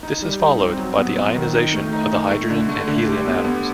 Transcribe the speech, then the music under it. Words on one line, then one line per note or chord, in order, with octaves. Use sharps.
This is followed by the ionization of the hydrogen and helium atoms.
D#4
G3
D#4
C4
F#3
B3
B3
D#3
D#4
A3
D#4
D#4
A3
D3
A3
D3
G4
B3
B3